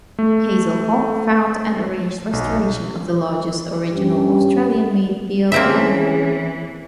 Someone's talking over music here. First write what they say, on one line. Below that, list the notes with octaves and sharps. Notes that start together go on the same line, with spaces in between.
Hazel Hawke found and arranged restoration of The Lodge's original Australian-made Beale Piano.
A3
B1
G2 C#4 G4
E3 A#3 C4 C#4 G#4 E5